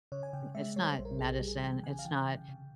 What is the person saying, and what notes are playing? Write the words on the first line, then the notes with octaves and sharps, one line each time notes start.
it's not medicine, it's not
C#3 C#5
G#5
C#3 G5
G#3 E5
G3 C#5
C5
A#1
A#4
A#1 G#4
G4
G3
G#4
E3 G5
C#3 G#5
F5
E3 G5
C#3
C3